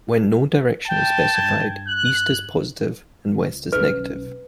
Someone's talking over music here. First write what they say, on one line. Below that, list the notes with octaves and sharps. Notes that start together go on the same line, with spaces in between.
When no direction is specified, east is positive and west is negative.
G5 A5
G2 G#6
F#6 F#7
C#2
B1 C#4 B4